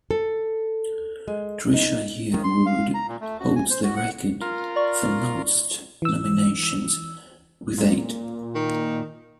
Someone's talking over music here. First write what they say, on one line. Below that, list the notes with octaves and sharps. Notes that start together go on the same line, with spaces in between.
Trisha Yearwood holds the record for most nominations, with eight.
A4
G#3
D#4
D#3
C6
F5
A#5
A#2
A3
F#4
G#5
C5
F#4
F#5
F4 A#4
D5 C#6
E3 E6
A#2
D#3